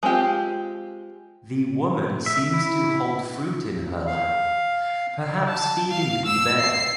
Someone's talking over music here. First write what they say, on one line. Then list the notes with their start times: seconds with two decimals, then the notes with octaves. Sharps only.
The woman seems to hold fruit in her lap, perhaps feeding the bear.
0.03 G#3 C4 F4 G4
2.26 E5
2.53 E4
4.07 F5
5.48 A5
5.90 F5
6.25 E6
6.59 C7